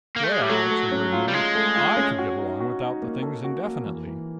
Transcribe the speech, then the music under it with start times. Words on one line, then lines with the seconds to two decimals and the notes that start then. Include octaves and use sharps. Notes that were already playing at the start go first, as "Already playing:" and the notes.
"Well," Trigger admitted, "I could get along without the things indefinitely."
0.16 A#3
0.24 A3
0.32 G#3
0.42 G3
0.49 F#3 A3
0.71 A3
0.92 C#4
1.12 F4
1.28 G3
1.33 G#3 F4
1.55 A3
1.75 F4
1.97 C#4
2.18 F#4
2.38 D#4
2.60 F#4
2.81 D#4
3.02 A#3
3.23 A4
3.44 F#4
3.64 A#3
3.86 E3
4.07 E3